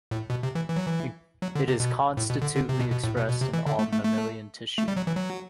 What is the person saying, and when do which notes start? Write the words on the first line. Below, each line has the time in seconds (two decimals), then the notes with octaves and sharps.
It is constitutively expressed in all mammalian tissue.
0.11 A2
0.30 B2
0.43 C3
0.55 E3
0.68 E3
0.76 F#3
0.86 E3
1.42 F#3
1.55 D3
1.68 C3
1.80 B2
2.17 A2
2.30 B2
2.42 D3
2.55 D3
2.69 C3
2.79 B2
2.91 B2
3.04 A2
3.17 B2
3.30 B2
3.41 C3
3.54 E3
3.66 D3
3.79 A3
3.92 A3
4.04 A3
4.78 A3
4.88 G3
4.97 F#3
5.07 E3
5.16 F#3